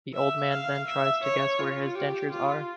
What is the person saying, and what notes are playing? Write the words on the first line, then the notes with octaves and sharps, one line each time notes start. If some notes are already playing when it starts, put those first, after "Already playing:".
The old man then tries to guess where his dentures are.
E5
F5
E5
C#5
F4
G4
F4